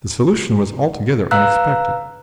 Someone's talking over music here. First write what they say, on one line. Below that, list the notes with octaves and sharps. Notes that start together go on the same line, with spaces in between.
The solution was altogether unexpected.
B4 F5 A#5 E6 F#6